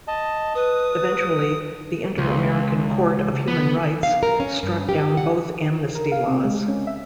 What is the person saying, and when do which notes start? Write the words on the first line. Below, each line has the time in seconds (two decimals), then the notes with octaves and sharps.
Eventually, the Inter-American Court of Human Rights struck down both amnesty laws.
0.08 D#5 A5
0.55 B4 D#6
2.18 C#2
3.48 B3
4.03 F5
4.23 A#4
4.40 C#4
4.63 G2
4.89 G4
5.17 F#5
5.95 A#4
6.12 F5
6.28 C4
6.44 G#3
6.68 C#4
6.87 E5